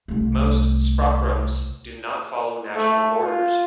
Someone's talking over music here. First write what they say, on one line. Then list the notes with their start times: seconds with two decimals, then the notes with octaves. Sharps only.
Most sprachraums do not follow national borders.
0.08 C2 A3
2.76 A3
3.24 F4